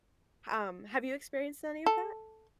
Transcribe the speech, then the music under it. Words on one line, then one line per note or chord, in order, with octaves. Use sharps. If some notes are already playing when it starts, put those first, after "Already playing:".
H um, have you experienced any of that?
A4